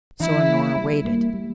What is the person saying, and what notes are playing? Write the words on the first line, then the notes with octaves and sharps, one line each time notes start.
So Honora waited.
E3 E4
A#3
G3
A#3
G3